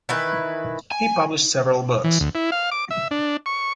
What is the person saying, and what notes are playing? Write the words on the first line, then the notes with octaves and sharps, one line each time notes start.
He published several books.
D#3 E3 E4 B4
G#5
E3
D2
E4
F5
D6
E5
D4
C#6